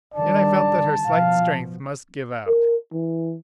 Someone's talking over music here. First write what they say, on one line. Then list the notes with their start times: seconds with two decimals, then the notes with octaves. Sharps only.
Yet I felt that her slight strength must give out.
0.14 D3 D#3 G3 D5 A5
1.07 B2 F3 F5
2.48 A#4
2.92 E3